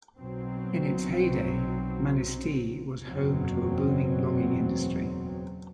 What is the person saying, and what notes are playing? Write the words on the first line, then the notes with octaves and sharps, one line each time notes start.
In its heyday, Manistee was home to a booming logging industry.
B1 B2 F#3 C4
F#1 E2 B2 F#3 C4